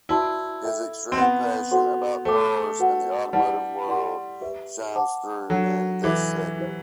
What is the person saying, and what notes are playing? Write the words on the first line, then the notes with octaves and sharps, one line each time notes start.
His extreme passion about cars and the automotive world shines through in this segment.
E4 F#4 B4 D5 A5 C6
A4 E5 G5
C4
B3 C5 F#5 C6
F#4 A4 C5 F#5 C6
A3 C5 G5 D6
F#4 B4 F#5
G3 E4 G4 B4 F#5 A5
E4 G4 D5 F#5 C6
G4 B4 E5
C5 F#5 A5 D6
F#3 D4 F#4 A4
E3 A4 C5 E5 B5 D6
E4 G4 C5